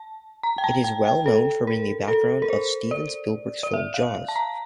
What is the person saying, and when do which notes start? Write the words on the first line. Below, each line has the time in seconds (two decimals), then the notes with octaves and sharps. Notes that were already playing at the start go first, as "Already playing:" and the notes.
It is well known for being the background of Steven Spielberg's film "Jaws".
Already playing: A5
0.43 A#5
0.58 G5
0.64 A5
0.84 G5
1.05 G5
1.26 A4
1.67 A#4
2.08 A4
2.42 A#4
2.50 C5
2.91 D5
3.63 D5
3.74 E5
3.94 F5
4.28 A5
4.36 A#5